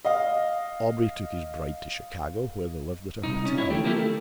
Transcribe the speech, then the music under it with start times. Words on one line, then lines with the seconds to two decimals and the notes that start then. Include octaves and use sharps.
Aubrey took his bride to Chicago, where they lived at a hotel.
0.05 D#5 F5
3.23 C2 D#4
3.46 C#4
3.58 E4 C#5
3.70 D3 E3 A3 G4
3.84 F3 A3 A#3 E4 F4 G4
3.96 A3